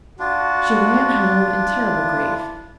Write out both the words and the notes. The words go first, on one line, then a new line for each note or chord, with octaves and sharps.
She ran home in terrible grief.
D4 F4 F#4
E4